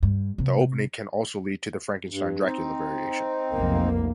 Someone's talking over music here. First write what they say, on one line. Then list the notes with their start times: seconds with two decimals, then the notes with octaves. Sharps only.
The opening can also lead to the Frankenstein-Dracula Variation.
0.03 G2
0.38 C3
2.10 G2
2.42 C4 D#4
3.53 F1 B1 A#3